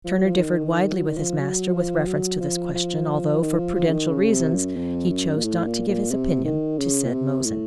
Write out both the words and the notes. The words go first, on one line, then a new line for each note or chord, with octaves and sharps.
Turner differed widely with his master with reference to this question, although, for prudential reasons, he chose not to give his opinion to said Mosen.
F3
F#3
F3
D#3
D#3
F#3
D#3
F3
F#3
F3
F#3
F3
F3
D#3
F3
F3
C#3
D#3
C#3
C3
F#2
F2
F#2
A#2
A2
A#2
A#2
C3
D#3
C#3
A#2
C3
A2